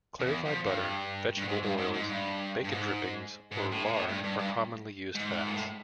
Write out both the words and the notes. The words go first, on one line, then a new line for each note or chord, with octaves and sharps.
Clarified butter, vegetable oils, bacon drippings or lard are commonly used fats.
F2
E2
F2
G2
G2
G#2
G2
G#2
G#2
G2
G2
G#2
G#2
A2
A#2
A2
G2
G2
G2
G#2
A#2
A2